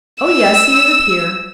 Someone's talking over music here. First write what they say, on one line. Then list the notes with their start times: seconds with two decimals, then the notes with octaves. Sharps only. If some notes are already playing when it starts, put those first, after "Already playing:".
"Oh, yes, he is a peer."
0.23 E6